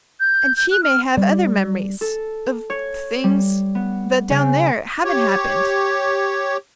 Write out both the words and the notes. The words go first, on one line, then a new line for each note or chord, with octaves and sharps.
And she may have other memories--of things--that down there haven't happened.
G6
G6
F#6
F6
G3 D5
A4
C#5
G3
B3
C#3
G4 C#5